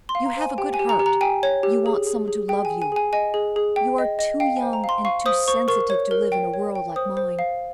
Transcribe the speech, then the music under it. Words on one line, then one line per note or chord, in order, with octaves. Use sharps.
You have a good heart, you want some one to love you, you are too young and too sensitive to live in a world like mine.
C6
F5
A#5
C5 G#5
G4 G5
G#5
G4
A#5
G4
A#5
G5 G#5
C#5
G4
G#4
G#4
G#4
G#4 G5
G#5
G#4
G#5
G#4 G#5
D#5 G#5
G#4
G#4
G5
D#5
D#5
F5 G5
G#5
C5
A#5
F5
C6
F5 C#6
C5 D#6
C5 C#6
A#4 C#6
C#5
A#4
G5
C#5
G5
C5 D#6
C5
F5